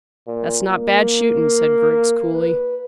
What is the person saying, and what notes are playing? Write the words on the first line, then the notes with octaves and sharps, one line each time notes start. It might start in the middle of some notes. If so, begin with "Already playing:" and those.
"That's not bad shooting," said Griggs coolly.
A#2
A#3
B4